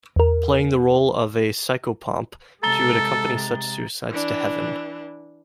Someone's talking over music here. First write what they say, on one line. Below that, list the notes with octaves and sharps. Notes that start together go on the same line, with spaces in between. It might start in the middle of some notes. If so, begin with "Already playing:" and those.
Playing the role of a psychopomp, she would accompany such suicides to heaven.
E2 A#4
C3 G#3 A4 A#5 A6 G7
E3 D4